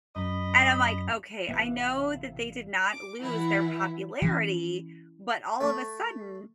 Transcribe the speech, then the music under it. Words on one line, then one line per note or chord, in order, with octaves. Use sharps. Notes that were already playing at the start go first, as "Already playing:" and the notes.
and I'm like, "Okay, I know that they did not lose their popularity, but all of a sudden,
F#2 D#5 B5
A1 C3 B3 E5 F5 F#6
D6
E3 E4 E5 F#5
E3 C#4
A3